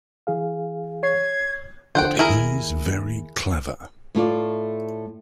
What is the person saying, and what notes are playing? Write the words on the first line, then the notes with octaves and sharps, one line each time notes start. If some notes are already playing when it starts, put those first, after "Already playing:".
But he's very clever...
E3 G#4 F5
C#5 G#6 C7
D3 F3 C5 F#5 G5
D#2 E4 G#4 A#4
A2 A3 F4 D5